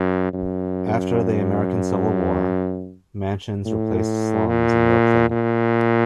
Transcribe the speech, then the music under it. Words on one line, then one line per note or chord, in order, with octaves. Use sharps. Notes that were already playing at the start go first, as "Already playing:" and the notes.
After the American Civil War, mansions replaced slums in Yorkville.
Already playing: F#2
F#2
A2
A#2
A#2